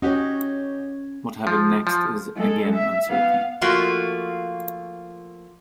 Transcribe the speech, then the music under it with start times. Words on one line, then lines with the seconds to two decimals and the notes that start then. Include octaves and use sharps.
What happened next is again uncertain.
0.02 C#4 D#4 F#4 G4 C#5
1.47 F3
1.87 F3
2.35 G#3 A4
2.74 E5
3.09 B3 F5
3.61 F3 A3 A#3 F4 F#4